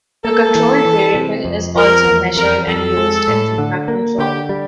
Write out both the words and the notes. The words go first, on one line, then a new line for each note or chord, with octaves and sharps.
The controlled variable is also measured and used in feedback control.
A#3 A4
E3
E3
C3
F2
F3 A#4
E2
F2 A#4
F2 A4
G#3
A2
D3
A#3
D3 G4
G3